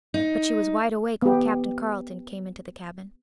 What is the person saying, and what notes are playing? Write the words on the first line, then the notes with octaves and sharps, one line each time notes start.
But she was wide awake when Captain Carleton came into the cabin.
D#4
B3 G4